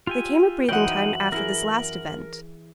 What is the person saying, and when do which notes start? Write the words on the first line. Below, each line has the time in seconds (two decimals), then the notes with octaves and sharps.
There came a breathing-time after this last event.
0.07 F4 G4 G#5 E6
0.69 F#2 E3 D#4 F#5 G5 F6 F#7
1.32 E4 G#4 A#4